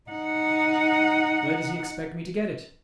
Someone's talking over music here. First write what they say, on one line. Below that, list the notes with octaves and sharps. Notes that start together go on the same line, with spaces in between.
Where does he expect me to get it?
D#4 F#5